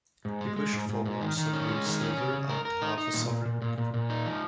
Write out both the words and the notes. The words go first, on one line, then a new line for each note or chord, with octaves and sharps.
He pushed forward some loose silver and half a sovereign.
G#2
G#3
G#3
G#2
G#2
G#2
D#3
D#3
C#4
G#3
D#3
C#4
C#3
C#3
A#4
A#4
D#4
D#4
A#2
A#2
A#2
A#2
A#2
A#2
D#4
F3